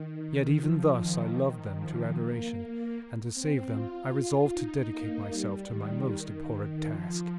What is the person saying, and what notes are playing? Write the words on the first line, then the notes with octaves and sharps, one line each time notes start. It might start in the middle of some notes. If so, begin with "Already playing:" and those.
Yet even thus I loved them to adoration; and to save them, I resolved to dedicate myself to my most abhorred task.
Already playing: D#3
F3
D#3
D#3
F3
A#3
C4
F4
F4
D#4
A#3
G3
D#3
D#3
F3